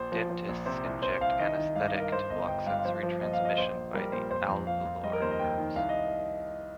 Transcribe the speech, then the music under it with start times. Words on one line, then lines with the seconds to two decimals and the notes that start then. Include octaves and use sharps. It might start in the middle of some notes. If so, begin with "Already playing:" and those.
Dentists inject anesthetic to block sensory transmission by the alveolar nerves.
Already playing: A#1 C5
0.12 F3
0.30 F3
0.49 A#1
0.66 C3 C5
0.84 C2
1.02 C2 C5
1.21 C2 F5
1.39 D#3 D#5
1.57 D#3
1.75 G2 F5
1.88 D#5
1.94 G2
2.00 A#4
2.12 G2 C5
2.30 G1 D#5
2.48 G1 G5
2.66 G2 F5
2.85 F3 C5
3.03 F3
3.21 A#1 D#5
3.33 F5
3.40 F3
3.45 D#5
3.58 A#1 C5
3.77 A#1
3.94 G3 A#4
4.12 A#2 C5
4.30 F2 C5
4.49 F2
4.66 F3 F5
4.85 F2
5.03 G3 D#5
5.13 A#4
5.22 D#2 C5
5.31 D#5
5.39 D#2 G5
5.58 D#3
5.76 C2 F5
5.89 D#5